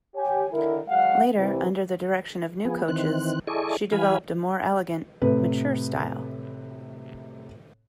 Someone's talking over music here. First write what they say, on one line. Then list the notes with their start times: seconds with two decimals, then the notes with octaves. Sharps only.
Later, under the direction of new coaches, she developed a more elegant, mature style.
0.15 G4 C#5 G#5
0.52 D3 D#3 E4 A#4
0.89 F#3 G#3 F5 F#5
1.37 C2 C3 E3
2.65 F3 B3 G#4
2.88 D#3 E3 C4 F#6
3.47 E4 G#4 A4 D5 D#5 C#6
3.92 E3 G3 F5 G#5 B5
5.22 A2 C3 B4